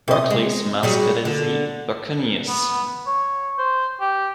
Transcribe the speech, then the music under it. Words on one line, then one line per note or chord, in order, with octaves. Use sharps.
Berkeley's mascot is the Buccaneers.
C3 D#5
G#3
F#3 G3 G#4
D3
B3
C#5
C5
G4